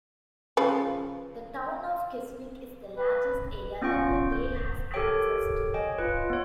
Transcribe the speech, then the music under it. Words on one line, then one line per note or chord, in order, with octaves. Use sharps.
The town of Keswick is the largest area that the bay has access to.
C#3 F3 B4
B4
B3 C#4 F4 G5 C#6
G6
G4 A4 A#4 C#5 G5
C#5 D#5 G5 G#5
F4 B4
B3 C#5